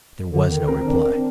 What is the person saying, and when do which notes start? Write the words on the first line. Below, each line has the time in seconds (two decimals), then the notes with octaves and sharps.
There was no reply.
0.32 D3
0.50 D#3
0.68 C4 A#4
0.86 D4
1.05 C4